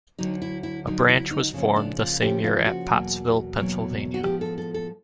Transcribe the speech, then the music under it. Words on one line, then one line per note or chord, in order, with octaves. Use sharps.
A branch was formed the same year at Pottsville, Pennsylvania.
D2 D3 F#3 D#4
E4
E4
D2 D3 F#3 D#4
E4
D#4
C#3 F3 A#3 C#4
D4
F4
C#3 F3 A#3 C#4 G4
F4
F#4
E2 B2 F#3 A#3
E2 B2 F#3 A#3
F#4
A2 F3 G#3 B3 G4
A4
A4
A4